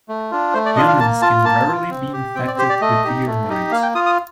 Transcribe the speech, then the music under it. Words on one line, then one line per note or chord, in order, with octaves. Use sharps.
Humans can rarely be infected with ear mites.
A3
D4 F4
A3 C5
D5
D4 F4 D#5
F5
A#3 A5
F4 A5
A#3 A5
F4
C4
G4
C4 G5
D5
G4 C5
D5
A3 D#5
D#4 G4
A3
D#4 G4
A#3 F5
G5
F4 D#6
D#6